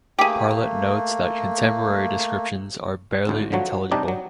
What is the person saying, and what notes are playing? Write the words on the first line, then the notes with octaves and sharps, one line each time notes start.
Parlett notes that contemporary descriptions are "barely intelligible".
A3 A#3 G4 G#4
G#1 D2 A2
D3 F3 F#3 F#4
C3 G3 D4 D#4 G4
F#3